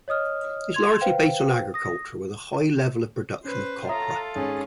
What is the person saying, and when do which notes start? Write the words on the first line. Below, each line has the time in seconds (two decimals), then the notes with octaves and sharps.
It is largely based on agriculture with a high level production of copra.
0.08 C#5 D#5 D#6 F6
0.73 C6 G#6 F7
1.01 B4 C5 F5 G5
1.74 D#6 A#6
3.45 C#4 B4 C5
3.89 F4 A4 C#5 E5 A#5 D#6
4.35 G#1 C#4 G#4